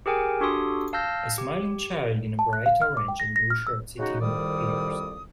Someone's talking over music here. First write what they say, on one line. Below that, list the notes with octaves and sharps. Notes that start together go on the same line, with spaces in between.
A smiling child in a bright orange and blue shirt sitting among peers.
G4 G#4 A#4 G5 G#5
D4 F#4 G4 A4 C6 D#6
F5 A5 E6 F6 G6 A#6
G4
A5
F#6
F5
F6
D6
G5
A#6
A#6
F6
E6
C#3 G#3 D#4 F#4
C2 F2 D#3 G3 D5 D#6